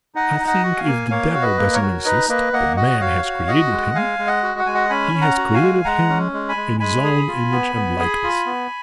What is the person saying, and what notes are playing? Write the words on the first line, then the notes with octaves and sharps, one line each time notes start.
"I think if the devil doesn't exist, but man has created him, he has created him in his own image and likeness."
D#4 D#5 F#5
D#4
D#5 F#5
F#4
F5 G#5
A#3
A#3 C#5 F5
F#4
B4 D#5
A#3
A#4 C#5
F#4
D#4 B4 D#5
A#3 B4 D#5
A#3 D#5 F#5
F#4 D#5 F#5
F#4 C#5 F5
F#4
F#4 D#5 F#5
G#3
G#3 F5 G#5
G#3
D#5 F#5
F#4
F#5
G#3 G#5
D#5 F#5
C#4 G#5 B5
C#4
F#5 A#5
F#4
F5 G#5
G#3
G#3 F#5 A#5
C#4
G#3
G#5 B5
G#3
G#3 G#5 B5
G#4
F4
B3
B3
G#4
F4
B3